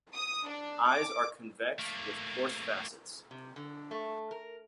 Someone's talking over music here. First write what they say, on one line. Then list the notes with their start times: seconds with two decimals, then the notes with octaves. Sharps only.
Eyes are convex with coarse facets.
0.14 D#6
0.47 D4
0.87 D6
1.79 A3 A#3
3.31 C3
3.56 D3
3.91 A3
4.31 A#4